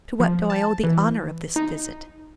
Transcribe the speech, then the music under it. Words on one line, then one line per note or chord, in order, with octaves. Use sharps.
"To what do I owe the honour of this visit?"
F3
A5
E3
D#4